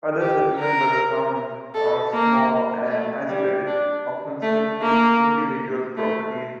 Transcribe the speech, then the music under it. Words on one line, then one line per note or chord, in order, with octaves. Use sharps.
Other settlements by the sound are small and isolated-often simply individual properties.
G4
A#4
A4
A#3
A3
G3
D4
A3
A#3
A3